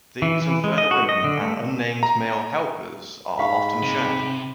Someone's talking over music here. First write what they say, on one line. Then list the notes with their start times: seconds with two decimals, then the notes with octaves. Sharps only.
These and further women and unnamed male helpers are often shown.
0.22 E3
0.42 E3
0.64 G#3
0.78 D#5
0.91 F#4
1.09 D#5
1.24 D3
1.41 A3
2.03 A#5
3.39 G#2 F5 B5 C#6
3.83 C3